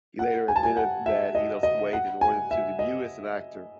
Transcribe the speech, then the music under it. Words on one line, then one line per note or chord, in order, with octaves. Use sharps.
He later admitted that he lost weight in order to debut as an actor.
F#5
G#5
A5
G#5
F#5
E5
D#5
D#5
F#5
G#5
E5
D#5